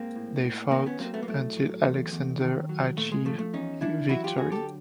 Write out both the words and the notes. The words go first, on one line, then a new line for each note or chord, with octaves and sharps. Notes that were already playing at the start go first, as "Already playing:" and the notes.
They fought until Alexander achieved victory.
Already playing: G#2 A#3 C4
A2
A2
D#3 A#3 C4
B3 C#4
F#3 A#3 C4
A3 B3
A#3
A2 A3
F#3
E2
E2
D#3
F#3
A#2 A3
G#3
F3 A3
A3
E2 C#4 D#4
E3 D4 E4
F#3 E4 F#4
F4 G4
D3 F#4 G#4
G4 A4